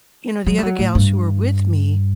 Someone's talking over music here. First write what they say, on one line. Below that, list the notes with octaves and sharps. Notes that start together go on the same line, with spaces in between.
you know, the other gals who were with me
F#3
G3
F#3
A2
G2